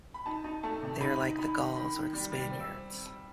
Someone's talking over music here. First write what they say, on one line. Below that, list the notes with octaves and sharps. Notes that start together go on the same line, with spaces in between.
They are like the Gauls or the Spaniards.
B5
D#4 A5
D#4
A3 A5
C3
D#4 B5
D#4
D#4 B5
D#3
D#3 B5
D#3
G3
G3
C4
E6